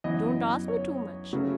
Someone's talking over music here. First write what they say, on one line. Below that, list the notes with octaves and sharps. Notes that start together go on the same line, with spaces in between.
'Don't ask me too much.
F#2 E3 B3 D#5
C#5
C#3 F#3 A3 C#4